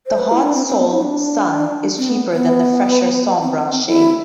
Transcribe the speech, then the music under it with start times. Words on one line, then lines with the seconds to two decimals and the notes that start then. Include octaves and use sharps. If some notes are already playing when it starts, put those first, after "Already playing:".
The hot "sol", "sun", is cheaper than the fresher "sombra", "shade".
0.06 C5
0.18 B4
0.31 E4
0.42 D4
0.55 C4
0.66 C4
0.79 B3
0.91 E4
1.02 D4
1.98 C4
2.09 B3
2.33 B3
3.40 C4
3.87 E4